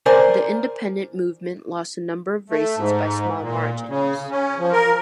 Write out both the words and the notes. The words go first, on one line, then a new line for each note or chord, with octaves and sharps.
The Independent Movement lost a number of races by small margins.
A#4 C5 D5 G#5
A3
G#2
A#2
C#3
C#4
F3
A#4